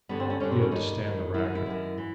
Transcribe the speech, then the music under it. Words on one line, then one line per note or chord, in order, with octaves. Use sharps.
He had to stand the racket.
G2 D3 B3
C4
C#4
G2 D3 C#4
C4
C#4
G2 D#3 D#4
G2 D#3
F#2 D#3 E4
D#4
E4
F#2 D#3
E3